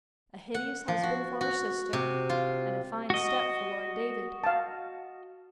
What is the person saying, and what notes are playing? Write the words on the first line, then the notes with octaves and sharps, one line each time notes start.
A hideous husband for her sister, and a fine step for Lord David.
F#5
F3
F#4
F#4
C3
F4
F#4 D#5
F5 A5